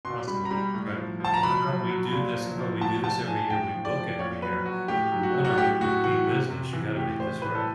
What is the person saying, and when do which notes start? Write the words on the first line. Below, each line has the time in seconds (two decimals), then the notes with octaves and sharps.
Possible, right. Well how 'bout we do this how 'bout we do this every year, we book it every year. If you wanna re repeat business you gotta make this right.
0.05 B2 C6
0.28 G3 B5
0.45 A#5
0.51 G3 B5
0.74 A2
0.97 F3
1.20 F3 A5
1.34 A#5
1.43 B2 B5
1.66 F#3
1.89 F#3
2.12 A#2
2.35 F3
2.58 F3
2.81 A2 A5
3.04 F3 A5
3.27 F3 G#5
3.50 A2 G5
3.74 F3
3.85 D5
3.96 F3
4.19 A#2 C#5
4.42 F#3 B4
4.65 F#3 F#4
4.88 A2 G4
5.12 F#3
5.23 F#4
5.35 F#3
5.45 F#4
5.58 A2 G4
5.81 A2 F#4
6.04 E3 F#4
6.27 C3
6.50 C3
6.73 E3
6.96 A2 G4
7.19 A2 C5
7.42 E3 B4
7.55 A4